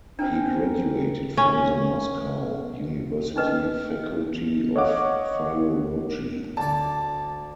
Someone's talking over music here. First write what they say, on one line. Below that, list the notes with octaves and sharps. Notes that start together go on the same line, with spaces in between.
He graduated from the Moscow University faculty of philology.
C4 D4 A#4 C5 G5 G#5
C#4
C#4 D#4 B4 D#5
C#5 D#5 F5 F#5 D6
D2 D5 A5